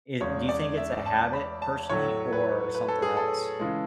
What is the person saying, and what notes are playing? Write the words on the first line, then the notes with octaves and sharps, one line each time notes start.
I Do you think it's a habit, personally, or something else?
E2 C#3 G#3 C#5
D5
E5
A5
B5
A5
A2 F#3 A3 C#5
B4
B4
A4
G#4
A4
C#3 E3 G#3